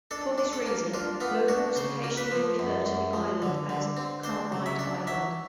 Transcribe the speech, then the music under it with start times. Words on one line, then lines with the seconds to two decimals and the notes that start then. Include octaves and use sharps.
For this reason, locals occasionally refer to the island as "Carbide Island".
0.11 D4 A4
0.38 D4
0.53 A4
0.66 A#3
0.94 D4 F4
1.20 B3 F4
1.49 D4 F#4
1.76 C#3 C5
2.04 A#3
2.17 B4
2.31 F3
2.59 F#2
2.86 F#2
3.13 F3
3.42 D3
3.69 D3
3.97 C4
4.24 D4 C5
4.52 C#3
4.66 E5
4.79 D4
5.07 F#3 E5